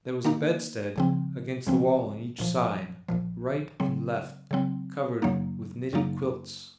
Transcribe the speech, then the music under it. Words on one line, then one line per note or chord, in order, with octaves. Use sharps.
There was a bedstead against the wall on each side, right and left, covered with knitted quilts.
D#3 A#3 D#4
C#2 C#3 F3 C4
C#2 C#3 F3 C4
A#1 A#2 F3
A#1 A#2 F3
C#3 F#3 C4
C#3 F#3 C4
F#2 C#3 F#3 A#3 D#4
F#2 C#3 F#3 A#3 D#4